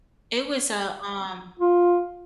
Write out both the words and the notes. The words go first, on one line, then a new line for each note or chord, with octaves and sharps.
it was a, um
F4